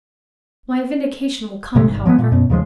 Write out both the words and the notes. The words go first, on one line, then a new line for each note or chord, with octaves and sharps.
My vindication will come, however.
A#1 C3 G#3 A3
G#1
F3 G#3 A#3 B3
A#2
F#2 B2
D#2 C#3 F3 G#3